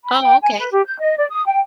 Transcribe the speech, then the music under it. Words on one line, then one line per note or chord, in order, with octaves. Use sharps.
Oh, okay.
B5
G5
G#5
B4
G4
G6
D#5
D5
D#6
G5